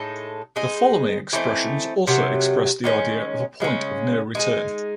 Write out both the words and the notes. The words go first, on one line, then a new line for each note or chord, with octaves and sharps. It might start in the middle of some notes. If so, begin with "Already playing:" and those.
The following expressions also express the idea of a point of no return.
Already playing: A2 G#3 D#4 A4
G#3 D#4 G#4
E3 A3 C4 D#4
C3 D#3 F#3
D#3 G#3 C#4
C#3 G#3 C#4
G#3 D#4 G#4